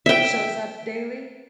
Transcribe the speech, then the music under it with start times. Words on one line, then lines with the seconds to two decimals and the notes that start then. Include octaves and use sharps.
shows up daily?
0.06 E5 G5